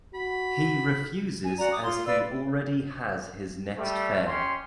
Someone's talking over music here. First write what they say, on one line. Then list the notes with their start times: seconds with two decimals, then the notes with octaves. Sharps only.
He refuses as he already has his next fare.
0.15 F#4 B5
1.44 G#5
1.58 F#4 D5 A#5
1.71 D6 D#6
1.83 F4 C6
2.06 B4 D5 F5 E6
3.78 G3 A3
4.27 C#4 G4 C6